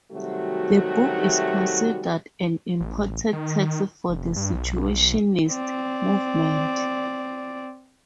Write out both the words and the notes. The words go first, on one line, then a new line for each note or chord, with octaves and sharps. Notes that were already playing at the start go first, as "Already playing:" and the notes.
The book is considered an important text for the Situationist movement.
C3 D#3 F#3 G3 A3 F#4
A1
D#3
F1
G2
B1
C4 D5